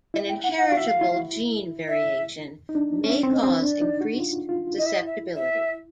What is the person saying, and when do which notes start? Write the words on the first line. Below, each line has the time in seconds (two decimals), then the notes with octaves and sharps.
An inheritable gene variation may cause increased susceptibility.
0.14 E4 D#5
0.29 G5
0.43 F#5
0.58 F#5
0.67 F5
0.72 F#4 E5
0.87 F5
1.01 E4
1.88 E5
2.69 D#4
2.75 D4
3.04 C#4 E5
3.23 C4
3.33 D#5
3.43 C4
3.62 D4 D5
3.81 D#4
4.01 F#4
4.20 F4
4.49 F4
4.78 E4 D#5
4.86 E5
4.94 D#5
5.07 E5
5.36 E5